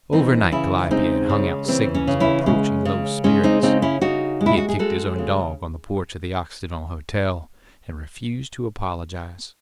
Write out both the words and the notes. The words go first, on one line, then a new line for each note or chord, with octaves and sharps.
Over night Calliope had hung out signals of approaching low spirits. He had kicked his own dog on the porch of the Occidental Hotel, and refused to apologise.
E3 C4 D#4
C#3 C#4 E4
G#3 C4 D#4
C#3
E3 C4
C#4
C#3
C#4 E4
G#3 C#4
C#3
G#3 C#4
C4 D#4
C#3 C4 D#4
C#4 E4
C#3 D#4 F#4
G#3
E4
F#4
G#4
G#3 F#4 A4
C#3